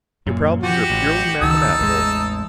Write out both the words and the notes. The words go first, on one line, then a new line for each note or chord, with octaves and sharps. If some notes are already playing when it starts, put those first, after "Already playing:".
Your problems are purely mathematical.
F#2 A#2
F3 F#4 G4
A1
C#2 D#3 D#4 A5 E6
A1 E2 G#3